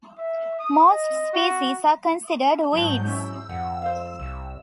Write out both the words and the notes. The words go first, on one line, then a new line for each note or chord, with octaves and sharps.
Most species are considered weeds.
E5
D#6
D#5
F#4
G#2 F#3 C5 A5 G6
C#4 E4 E5 E6
F2 F#5
C5 F5
C2